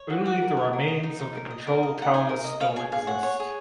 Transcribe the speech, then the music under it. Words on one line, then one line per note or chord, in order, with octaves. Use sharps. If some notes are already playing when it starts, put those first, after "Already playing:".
Only the remains of the control tower still exist.
Already playing: C#5
F#4
F#4 F#5
A#4
C#5
A#4
D#5
D#4
D#4
A#4
D#5
A#4
D#5
D#4 F#5
D#4 G#5
A#4
D#5
C#5 F5
G#4 G#5
G#4 F5
C#5 F#5
C#5
G#4